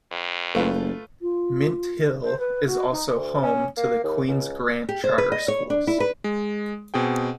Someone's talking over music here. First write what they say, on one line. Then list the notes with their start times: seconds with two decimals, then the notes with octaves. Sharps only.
Mint Hill is also home to the Queens Grant Charter schools.
0.12 F2
0.55 F#1 A3 F4 B4
1.22 F4
2.23 C5
2.39 B4
2.66 F#4
2.91 D#4
3.15 D2
3.43 C#4
3.77 A#3
4.04 D#2
4.28 C#2
4.89 G4
5.04 C5
5.18 B4
5.32 D#5
5.48 C#5
5.70 D4
5.87 E4
6.00 B4
6.24 G#3
6.94 B2 C4 G#4 G5